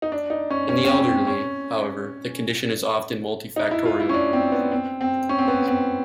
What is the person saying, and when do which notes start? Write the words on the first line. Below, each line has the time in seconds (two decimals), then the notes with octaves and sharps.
In the elderly, however, the condition is often multifactorial.
0.02 D#4
0.12 D4
0.30 D#4
0.50 C#4
0.69 C#4
0.85 C#4
0.88 C4
0.99 C#4
1.08 C4
1.27 C#4
3.56 D#4
3.71 E4
3.85 F4
4.00 E4
4.09 C#4
4.14 D4
4.33 C4
4.52 B3
4.72 C4
5.01 C4
5.29 C#4
5.38 C4
5.48 B3
5.67 C4